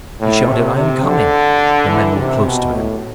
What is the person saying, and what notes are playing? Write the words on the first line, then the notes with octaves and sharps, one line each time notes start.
He shouted, 'I am coming!' The men were close to him.
A2
C3
C3
D3
E3
C3
B2
A2